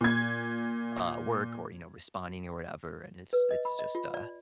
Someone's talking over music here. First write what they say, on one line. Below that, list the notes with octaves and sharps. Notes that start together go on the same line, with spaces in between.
uh, work or, you know, responding or whatever. And it's it's just, uh
A#2 G#6
B4
D#5
B5
D#5
F4
D5